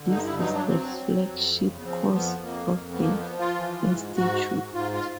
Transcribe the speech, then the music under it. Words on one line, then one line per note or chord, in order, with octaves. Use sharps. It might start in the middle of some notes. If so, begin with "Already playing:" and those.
This is the flagship course of the institute.
Already playing: D3
G2 D#4
E4
F#3 D#4
D4
F#3 C4
F#3
F2
C#3
B3
F3 C4
F2 B3
F2 A#3
F2
B3
F3 A#3
B3
F3
F4
E3
G#2
G#2 F#4
G#2
G#2 F4
F4